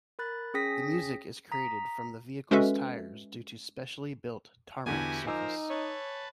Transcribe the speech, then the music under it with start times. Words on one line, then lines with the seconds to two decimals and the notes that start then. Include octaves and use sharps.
The music is created from the vehicle's tires due to specially built tarmac surface.
0.19 A#4 B5 F#6 A6
0.54 C#4 G#4 G5 D#6 A#6 B6
1.52 A#5 D#6 B6
2.51 G#3 C#4 F#4 A4 B4 E5
4.86 E2 D3 E3 E4 F#4 G4 G#5
5.27 F3 D#4 A#4 C5 G#5 D6 E6
5.70 B4 C#5 A5